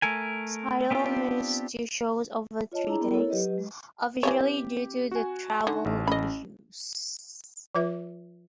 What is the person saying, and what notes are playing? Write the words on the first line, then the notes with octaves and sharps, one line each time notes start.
Sydal missed two shows over three days, officially due to "travel issues".
A3 A4 A#4 G#5
B3 C4 D4 F4 G4
F4 C#5 D#5 A5
D4 E4 G#4 A#5
B3 E4 A#4
E4 A4 C#5
F#3 G4 B4 D#5
G#3
E3 A3 C4 G4 C#5
F#4 G#5
D3 D#4
A1
C#4 D#5 B5
F3 F4 B4 E5